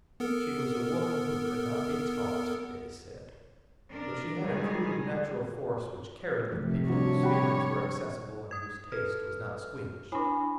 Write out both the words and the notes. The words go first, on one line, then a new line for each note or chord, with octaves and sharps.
She was a woman who could not be taught, it is said, though she had a crude natural force which carried with people whose feelings were accessible and whose taste was not squeamish.
B3 A4 A#4
D4 A#4
D#3 G3 G#3 G#4
C3 F3 A3
D#3 G3 D4 F#4 C#5
G4 F#5 G5 B5
D#6 G#6
A4 B4 F6
D4 E4 G#5 B5